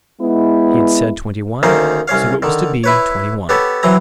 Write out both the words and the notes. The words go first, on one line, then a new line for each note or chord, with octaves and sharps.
He had said Twenty-One, so it was to be twenty-one.
G#3 B3 E4
D2 D#3 A#3 C#4 D#4 C5
C2 C#4 C#5 F5
D3 D#3
E4 B4 C#5
B3 G4 A4 C#5
E3 F#3 C4 A#5